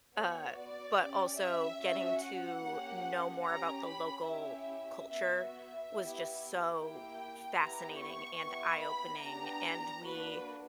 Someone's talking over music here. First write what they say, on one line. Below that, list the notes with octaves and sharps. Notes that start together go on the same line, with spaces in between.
Uh, but also getting to know more about the local culture was just so fascinating and eye-opening. And we,
B3 F#4 C#5
D5
C#4 G4
E5
C#4 F#4
F#5
A#3 C#4 G4
C#4 G4 A#5
B5
C#4 E4 G4 E5
B3 F#4 E5
E5
B3 E4 G4
A#3 E4 G4 G5
B3 E4 G4 A#5
C#6
B3 E4 G4
B5
B3 D4 G4 A#5
A#3 D4 F#4 B4